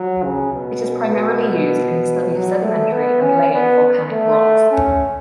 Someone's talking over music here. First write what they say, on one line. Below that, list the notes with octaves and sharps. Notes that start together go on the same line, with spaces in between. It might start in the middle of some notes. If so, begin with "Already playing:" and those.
It is primarily used in the study of sedimentary and layered volcanic rocks.
Already playing: F#3
C#3
B2
B2
F#3
A3
B3
C#4
B3
A3
C#4